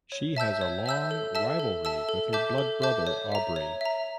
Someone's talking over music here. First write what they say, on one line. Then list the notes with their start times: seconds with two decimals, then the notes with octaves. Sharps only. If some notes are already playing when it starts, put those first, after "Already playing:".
She has a long rivalry with her blood-brother, Aubrey.
0.12 C#5
0.36 E5 A5 E6 G6
0.61 C#5
0.86 E5 A5 E6 G6
1.11 A4
1.35 E5 A5 E6
1.60 A4
1.85 E5 A5 E6
2.09 A4
2.33 E5 A5 D6 G6
2.58 A4
2.82 E5 A5 D6 G6
3.07 C#5
3.32 E5 A#5
3.56 C#5
3.81 E5 A#5